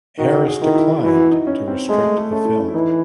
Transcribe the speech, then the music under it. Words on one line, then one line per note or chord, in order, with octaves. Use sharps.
Harris declined to restrict the film.
D#3 F#4
F#4
G#4
D#3 E4
E4
E3 F#4
E4
D#4
C#4
C4
G#3 A3
A3
A3
A3 C#4
E4
C#4
E4
E3 D#4